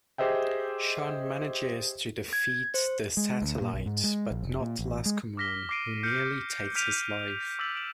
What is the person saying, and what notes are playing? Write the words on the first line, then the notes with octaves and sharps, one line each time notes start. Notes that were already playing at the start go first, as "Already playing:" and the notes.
Shun manages to defeat the Satellites, but not Lascomoune, who nearly takes his life.
G4 G#4 C5 D#5 E5 G5
G#6
C5
G#3
D2
A#2
B1
G#2
G#3
A#1
F1
A#2
A1
G#3
D6 F6 A#6 B6 G7
D6 A#6 C7 D7 D#7
F6 G6 C#7
F6 G6 B6 D7 D#7 F7
D6 E6 A6 B6 F#7
D7 E7 F#7